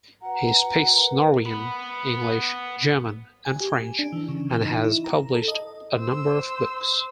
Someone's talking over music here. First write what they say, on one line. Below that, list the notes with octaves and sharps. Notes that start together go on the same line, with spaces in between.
He speaks Norwegian, English, German and French, and has published a number of books.
F#4 B4 F#5 A#5
A#4 B4
B3 B5
G#5
G4
G#5
D4
E3
C#3
E3
D#4
E4
A#5
A4
D#5
C5 E6